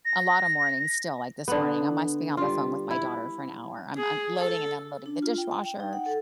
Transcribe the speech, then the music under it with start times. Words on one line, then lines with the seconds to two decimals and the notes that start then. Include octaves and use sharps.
a lotta mornings still, like, this morning, I must have been on the phone with my daughter for an hour, I'm unloading and unloading the dishwasher,
0.05 A#6
1.48 D3 B3
2.37 G3 F4
2.90 E4
3.98 G#4
4.39 A4
5.06 D4
5.22 F4
5.38 G5
5.51 G5
5.64 G5
5.80 D#4
5.93 F#5
6.06 A4